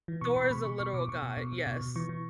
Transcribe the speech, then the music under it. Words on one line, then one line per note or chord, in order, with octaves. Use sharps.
Thor is a literal god, yes.
E3
B2 C#6
B2 B5
B2 B5
B2 C#6
B2 C#6
B2 D6
B2 C#6
B2
B2
B2
B2
B2
E3 C#6
E3